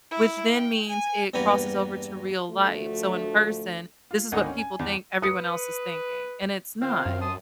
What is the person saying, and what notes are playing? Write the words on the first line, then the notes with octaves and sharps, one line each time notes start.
which then means it crosses over to real life. So in person, this is what people think everyone else is thinking, and it's not,
E4
G5
G#5
E2 G2 A#3 F#4 B4 A#5
D2 F3 A3 D4 F#4
F4
G#1 D2 D#3 D#5 F#5 G#5
C#4
G#5
E2
B4 D#6 C#7
D#3 C4 F4 F5
F#2
A5 C6 D#6